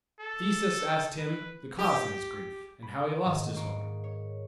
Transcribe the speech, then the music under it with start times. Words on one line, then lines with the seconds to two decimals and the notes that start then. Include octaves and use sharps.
Theseus asked him the cause of his grief, and how he lost his horn.
0.21 A4
1.19 B4
1.79 G4
2.82 B5
3.24 G#2 D#3
3.56 G#2 A#3 D#4 F#4 C#6 D7
4.04 C#5